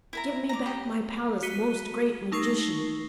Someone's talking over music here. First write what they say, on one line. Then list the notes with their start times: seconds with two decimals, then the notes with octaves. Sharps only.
Give me back my Palace, most great magician.'
0.13 E4 A#4 A#5
0.49 A#5 D6
0.66 G4
1.43 F#4 B6 D#7 G7
2.32 A3 D#4 C#6 A#6 C7